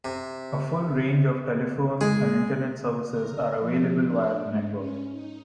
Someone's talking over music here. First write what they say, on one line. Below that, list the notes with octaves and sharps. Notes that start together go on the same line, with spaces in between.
A full range of telephone and Internet services are available via the network.
C3
G#3 G#4
A#4
F3
D4
G#2
C#4
D#4